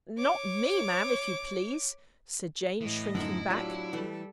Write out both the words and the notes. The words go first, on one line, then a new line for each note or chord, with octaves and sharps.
'Not me, ma'am, if you please,' said Jane, shrinking back.
C#5 D6
A2 E3 D#5
F#2 D3 F3 D#4 E4
F#3 D4 F4 G4
E3 G3 A3 A4